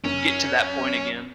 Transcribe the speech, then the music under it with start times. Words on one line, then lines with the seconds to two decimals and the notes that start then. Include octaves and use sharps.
get to that point again."
0.04 F#2 C#4